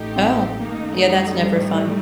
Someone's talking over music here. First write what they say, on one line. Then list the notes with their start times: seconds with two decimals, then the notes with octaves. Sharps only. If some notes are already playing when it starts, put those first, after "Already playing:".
Oh, yeah, that's never fun.
Already playing: A1 A2 A3 D#4 G4
0.16 C4
0.60 F#2 D#3 A3 A#3 D#4
0.94 F#3
1.05 G3
1.50 A2 A3 D#4